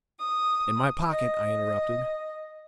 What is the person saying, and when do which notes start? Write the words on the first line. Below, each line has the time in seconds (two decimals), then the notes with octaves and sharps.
"In my pocket!" I interrupted.
0.19 D#6
1.10 D#5